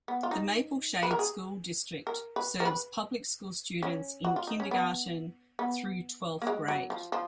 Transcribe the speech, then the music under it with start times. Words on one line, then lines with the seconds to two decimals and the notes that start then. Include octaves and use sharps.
The Maple Shade School District serves public school students in kindergarten through twelfth grade.
0.08 B3
0.23 F4
0.31 D#4
1.03 B4
1.11 A#4
1.19 G#4
2.07 A#4
2.36 B4
2.60 A#4
2.65 B4
3.83 C#4
4.25 F#4
4.36 F4
4.47 D#4
4.60 C#4
4.71 B3
5.59 B3
6.42 A#3
6.47 G#3
6.68 F#3
6.90 F3
7.12 F3